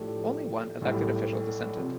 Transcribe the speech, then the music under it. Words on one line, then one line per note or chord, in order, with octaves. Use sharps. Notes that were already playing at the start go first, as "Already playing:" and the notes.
Only one elected official dissented.
Already playing: A2 F3 A3 D4 G4
B1 A2 G3
C3 F3